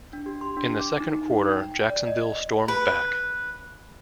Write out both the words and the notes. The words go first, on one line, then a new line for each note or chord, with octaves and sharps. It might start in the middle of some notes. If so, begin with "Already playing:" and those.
In the second quarter, Jacksonville stormed back.
D4
G4
C6
D4
D6
D#4
G5
D5
D#5
B4